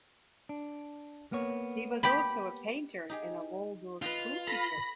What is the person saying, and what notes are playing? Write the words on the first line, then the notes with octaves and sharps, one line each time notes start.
He was also a painter and a Waldorf school teacher.
D4
A#3 B3 C#5
G4 B5
D#4 G4 G#4
F4 B4 D#5 G5
A4 B5 A#6 B6